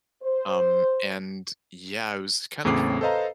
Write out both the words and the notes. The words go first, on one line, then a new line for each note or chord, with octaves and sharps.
Um, and yeah, it was kind of
C5
E2 A2 C#3 C4 D6 C7
A4 B4 C5 D#5 F5 A#5